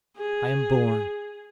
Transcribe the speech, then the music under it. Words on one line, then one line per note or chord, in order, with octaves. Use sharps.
I am born.
G#4